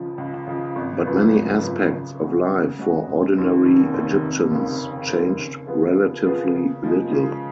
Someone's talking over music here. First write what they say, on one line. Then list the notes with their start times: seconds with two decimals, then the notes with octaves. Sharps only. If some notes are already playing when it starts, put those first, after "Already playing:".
But many aspects of life for ordinary Egyptians changed relatively little.
Already playing: C#2 C#3 F3
0.18 C#2
0.47 C#3 F3
0.75 G#1
1.05 F#2 C#3 F3 B3
1.34 G#1
1.63 F#2 C#3 F3 B3
1.92 C#3
2.20 G#3 C#4 F#4
2.50 C#3
2.79 G#3 C#4 F#4
3.07 F1
3.37 D#2 D#3
3.65 F1
3.94 D#2 D#3
4.22 F1
4.51 D#2 C#3
4.81 F1
5.10 D#2 C#3
5.39 C#3
5.67 F3 B3 F4 G#4
5.97 C#3
6.25 F3 B3 F4 G#4
6.54 C#3
6.83 F3 G#3
7.12 C#3